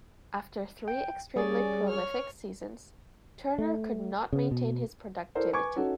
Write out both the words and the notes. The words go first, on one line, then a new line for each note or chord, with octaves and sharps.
After three extremely prolific seasons, Turner could not maintain his productivity.
G5
G3 C#4 G#4 D5
C#5 F6
A3
C#3
B2
E4 A4 A#4 C5 D5
B4 G#5 C#6 D6 G#6
C#4 D#4 F#4 A4